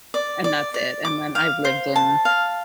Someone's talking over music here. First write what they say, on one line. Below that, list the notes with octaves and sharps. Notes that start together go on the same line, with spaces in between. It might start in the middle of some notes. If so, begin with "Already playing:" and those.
And that's it, and then I've lived in
D5
D5
D5
D6
F5
C5
A5
F5